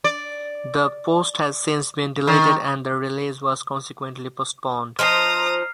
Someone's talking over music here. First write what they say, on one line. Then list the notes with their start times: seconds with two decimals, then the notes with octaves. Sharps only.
The post has since been deleted and the release was consequently postponed.
0.04 D5
2.27 D#3
4.99 F3 D#4 C5 A#5 D#6 F6 C7